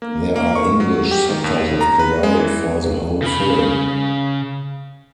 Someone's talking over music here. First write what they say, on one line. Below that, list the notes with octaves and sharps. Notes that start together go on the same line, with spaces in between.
There are English subtitles provided for the whole film.
A#3
A#3
C#6
F#3
G4
D#3
D#2
A#5
B4
G#3
E3
C#3 B5